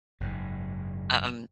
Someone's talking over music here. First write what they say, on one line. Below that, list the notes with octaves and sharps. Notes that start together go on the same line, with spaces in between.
Uh um,
F#1 G#2